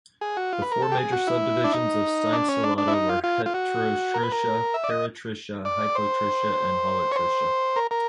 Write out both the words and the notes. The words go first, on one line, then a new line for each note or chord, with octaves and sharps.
The four major subdivisions of Stein's Ciliata were: Heterotricha, Peritricha, Hypotricha and Holotricha.
G#4
F#4
F4
B4
A#4
A4
G4
G#4
F#4
E4
D4
D#4
D4
C#4
D4
D4
E4
D#4
F4
F4
F4
F#4
A#4
B4
A#4
E5
D5
D#5
D5
C5
C#5
C5
A#4
A#4